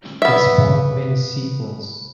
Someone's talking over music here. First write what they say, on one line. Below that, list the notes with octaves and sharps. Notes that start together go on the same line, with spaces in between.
It spawned many sequels.
B3 E5